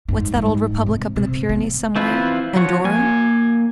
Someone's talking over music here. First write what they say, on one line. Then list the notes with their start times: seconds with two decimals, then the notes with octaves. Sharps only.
What's that old republic up in the Pyrenees somewhere--Andorra?
0.09 G#2
0.35 G#2
0.86 C3
1.16 C3
1.49 B3
1.96 E3 C4 E4 F4 B4
2.56 F3 F#4 C#5
2.84 A#3 G#5